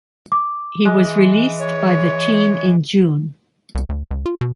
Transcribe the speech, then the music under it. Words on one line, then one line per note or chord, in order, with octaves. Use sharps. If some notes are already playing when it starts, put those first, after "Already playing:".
He was released by the team in June.
D6
E3 G#3
C#5
C2
D2
C#2
F4
B2